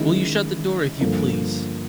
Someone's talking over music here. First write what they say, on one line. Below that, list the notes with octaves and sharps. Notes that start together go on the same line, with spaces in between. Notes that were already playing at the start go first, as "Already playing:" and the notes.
Will you shut the door, if you please?
Already playing: D#3 G#3 C#4 E4
G2 D3 F3 A#3